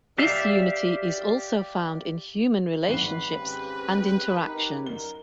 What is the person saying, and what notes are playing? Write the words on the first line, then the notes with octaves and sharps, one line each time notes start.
This unity is also found in human relationships and interactions.
G4 D5 E5 F5
G#1 B4 C7
C#3 C4 G4
D#4 G4 A#4
F#2 A#4 G7